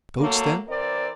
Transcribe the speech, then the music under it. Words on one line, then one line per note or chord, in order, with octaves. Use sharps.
Goats, then?
F#3 A3 A#3
E3 C4 A#4 D5